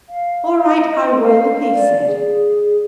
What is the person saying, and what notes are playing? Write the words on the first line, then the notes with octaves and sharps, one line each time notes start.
"All right, I will," he said.
F5
D#5
F5
D5
G#4